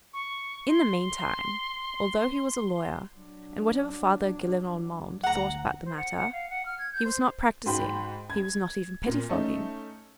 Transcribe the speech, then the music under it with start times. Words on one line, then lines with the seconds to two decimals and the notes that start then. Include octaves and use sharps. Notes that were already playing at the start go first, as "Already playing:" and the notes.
In the meantime, although he was a lawyer, and whatever Father Gillenormand thought about the matter, he was not practising, he was not even pettifogging.
0.13 C#6
0.68 C6
3.15 F#3 D4
5.23 D2 F#5 A#5
5.85 C5
5.97 F#5
6.16 F#5
6.32 F5
6.50 F#5
6.66 F6
6.79 G#6
6.93 G6
7.05 C5
7.66 G#2 F#4 G5 B5
8.30 G#6
9.07 A#2
9.29 A3 C#4 D#4